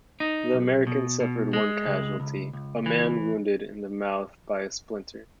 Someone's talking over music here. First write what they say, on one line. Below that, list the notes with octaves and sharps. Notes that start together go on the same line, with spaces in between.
The Americans suffered one casualty, a man wounded in the mouth by a splinter.
D#4
B1
B2
B2
G#3
C#2
C#2
C#2
E3